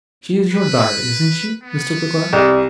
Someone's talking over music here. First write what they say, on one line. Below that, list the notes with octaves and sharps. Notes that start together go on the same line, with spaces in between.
'She is your daughter, isn't she, Mr. Peggotty?'
B4
B3
C2